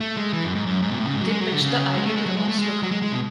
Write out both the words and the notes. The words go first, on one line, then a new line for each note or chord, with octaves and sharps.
They pitched the idea to the Oslo Company.
A3
G#3
E3
F#2
G#2
F#2
G#2
B2
A2
C#3
G#2
F#3
G#3
F#3
D3
C#3
G#3
A3
G#3
F#3
G#3
A3
G#3
F#3
G#3
G#3
B2